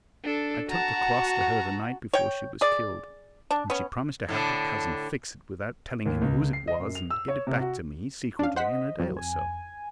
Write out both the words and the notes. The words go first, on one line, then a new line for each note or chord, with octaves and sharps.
I took the cross to her the night before she was killed, and she promised to have her cousin fix it without telling him whose it was and get it back to me, secretly, in a day or so.
D4 A4
F#4 A5 A#5
C#5 G5
G#4 D5
D4
B3 C#4
A2 D3 D4
D#2
C#2
C7
D#5
F#2
F7
E6
C#5
C3
F#4
C#4 D4 F5
C5 D#5 F#5 B6
F2 F#3
G#5